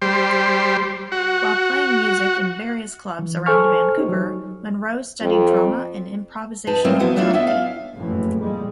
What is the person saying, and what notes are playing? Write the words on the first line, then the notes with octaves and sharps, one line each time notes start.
While playing music in various clubs around Vancouver, Munro studied drama and improvisational comedy.
G3 C5
F#4
E3
A4 C5 G#5 C#6 F6
D#4 G4
F#3
F2
F2 D#4 B4 A5
F#3 A3 A#3 C4 E4 D#5
F3 F#3 B3 E4
F#3 A3 D4 E4 F4
B3 C#4 E4 D#5 E5
F5
F#1 F2 A2 E3
A#1 G3 G#3